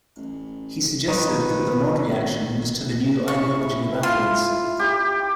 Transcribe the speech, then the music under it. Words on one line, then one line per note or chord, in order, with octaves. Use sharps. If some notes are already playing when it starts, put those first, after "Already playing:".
He suggested that the Mod reaction was to the new ideology of affluence.
A1
F2 D#3 B4
E4 C#6
F4
G4